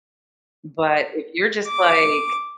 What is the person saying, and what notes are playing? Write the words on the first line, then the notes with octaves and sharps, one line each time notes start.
But if you're just like,
D6